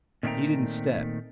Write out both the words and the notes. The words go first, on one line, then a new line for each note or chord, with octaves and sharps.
He didn't step.
A#2 D#3 A3 C4 G5 A#5